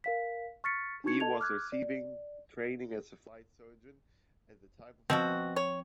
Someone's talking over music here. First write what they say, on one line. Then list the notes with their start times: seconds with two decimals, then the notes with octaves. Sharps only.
He was receiving training as a flight surgeon at the time of his death.
0.04 A#4 F5 B6
0.64 C#6 F6 A6 B6 C#7
1.04 D4 D#4 F#4 C#6 G#6 C#7
1.20 A4 D#5 A5 G#6 F7
1.40 D6 F6 F#6 G#6
1.72 D5
5.10 B2 F3 C4 F#4
5.56 C#5